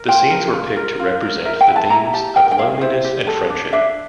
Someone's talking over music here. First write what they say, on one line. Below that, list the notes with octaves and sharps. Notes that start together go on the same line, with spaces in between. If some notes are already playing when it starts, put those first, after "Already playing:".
The scenes were picked to represent the themes of loneliness and friendship.
Already playing: A#4
F4 G5
A#4
F4
A#4
F4
A#4
A#4 E5
G5
E4
A5
E4 A#5
G4 A5
A#4 G5
G5
E4 F5
E4 C5
G4
A4
D4
D4 E5